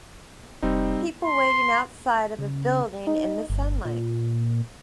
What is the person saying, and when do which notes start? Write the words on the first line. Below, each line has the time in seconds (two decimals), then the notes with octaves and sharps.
People waiting outside of a building in the sunlight.
0.62 F1 G3 C4 D#4
1.25 C6
2.39 C#3
3.07 D#4
3.50 G1
3.85 A#2